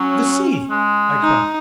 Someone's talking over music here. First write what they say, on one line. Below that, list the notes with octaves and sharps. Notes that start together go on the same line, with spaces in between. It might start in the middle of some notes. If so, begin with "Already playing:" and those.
"The sea!" I cried.
Already playing: F#3 C#4
G#3
D#4